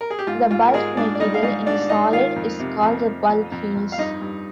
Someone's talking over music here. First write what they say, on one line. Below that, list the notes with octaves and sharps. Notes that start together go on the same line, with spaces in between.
The bulk material in a solid is called the Bulk phase.
A#4
G#4
G4
G#2 F4
G#2 F4
A#4
G#2 G#3 G#4
G#2 D4 D5
D5
G3 D#4 D#5
F5
G#2 D#4 D#5
G#2 D4 D5
G#2 D#4 D#5
D#3 F4 F5
F2
C3
F2
F2
F2
F2
F2
F5
G2 D#4 D#5
G2